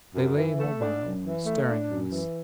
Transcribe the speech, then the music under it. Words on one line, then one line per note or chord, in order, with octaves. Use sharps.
They lay immobile--staring at us.
F#2
E3
A3
D4
F#2
E3
A3
D4
F#2
E3